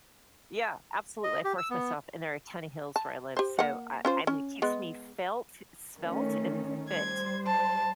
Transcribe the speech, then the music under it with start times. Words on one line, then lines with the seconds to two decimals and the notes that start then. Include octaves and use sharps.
Yeah, absolutely, I force myself, and there are a ton of hills where I live, so, I I mean, it keeps me felt, svelte, and fit,
1.24 D#5
1.44 G4
1.58 E6
1.70 B3
2.96 A5
3.37 G4 C5
3.59 A#3 F#5
4.05 C#4 F4 C5
4.27 C#4
4.62 G#3 B3
6.00 D#3 A3 C#4
6.89 G3 C5 G#6
7.46 A5